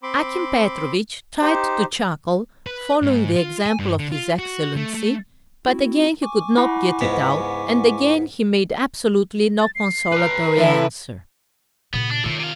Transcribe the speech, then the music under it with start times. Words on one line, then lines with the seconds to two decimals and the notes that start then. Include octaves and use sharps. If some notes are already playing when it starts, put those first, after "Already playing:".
Akim Petrovitch tried to chuckle, following the example of his Excellency, but again he could not get it out, and again he made absolutely no consolatory answer.
0.03 C4 B5 C6 D6
1.41 D#4 G4 C5
2.67 B4
3.02 G#2
3.36 F4
3.66 G#5
3.79 G2
3.99 D3
4.12 F4
4.39 F#4
4.76 A3
4.94 A3
5.67 C4 E4 F#4
6.22 G#5 C#6 D6
6.58 E4 F#5 B5
7.01 C#2 G#2 B3
9.61 A6
9.75 C7
10.12 B4 A#5
10.57 A2 E3 E4
11.94 A#2 C#3 B3
12.11 D4
12.24 A2 D#3 F4
12.40 C3 F5